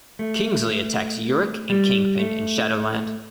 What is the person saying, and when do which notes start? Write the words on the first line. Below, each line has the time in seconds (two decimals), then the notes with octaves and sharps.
Kingsley attacks Urich and Kingpin in Shadowland.
0.19 A3
1.70 G3
2.19 A3